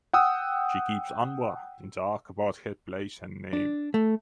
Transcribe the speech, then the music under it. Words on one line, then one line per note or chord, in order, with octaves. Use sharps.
She keeps Anwar in dark about her place and name.
F#5 G5 D#6 E6
D4
A3